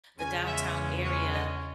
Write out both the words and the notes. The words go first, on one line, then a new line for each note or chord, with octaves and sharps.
The downtown area
E2 C#3 G#3 C#4 G#5
E5
C#5
D#5